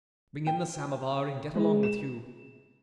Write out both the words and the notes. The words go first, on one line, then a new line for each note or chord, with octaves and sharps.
Bring in the samovar, and get along with you.
G5
G#3
E7